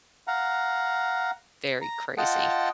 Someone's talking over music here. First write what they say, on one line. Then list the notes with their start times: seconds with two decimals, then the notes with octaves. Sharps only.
very crazy
0.28 F5 F#5 A#5
1.82 A#5
2.18 F4 D#5 F#5 G5 A5